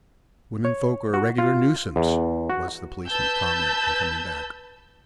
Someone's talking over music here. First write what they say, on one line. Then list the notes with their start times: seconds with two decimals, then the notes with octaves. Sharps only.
"Women folks are a regular nuisance," was the policeman's comment, on coming back.
0.65 C#5
1.14 F#4
1.38 F4
1.96 E2
2.50 F#4
3.08 B4 A5 E6 G6